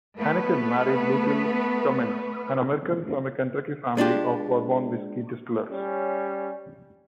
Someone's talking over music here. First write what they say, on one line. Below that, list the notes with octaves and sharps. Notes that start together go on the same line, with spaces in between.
Heineken married Lucille Cummins, an American from a Kentucky family of bourbon whiskey distillers.
A3 B3 B4
G#3 D4 F4 G4
G3 C#4